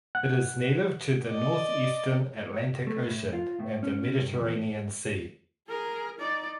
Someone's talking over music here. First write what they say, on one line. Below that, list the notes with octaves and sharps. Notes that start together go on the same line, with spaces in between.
It is native to the northeastern Atlantic Ocean and the Mediterranean Sea.
F#5 F#6
D5 D#5
A3
A2
F4
A2
C#4
G2
E2
G#4 A#4
D#4 D5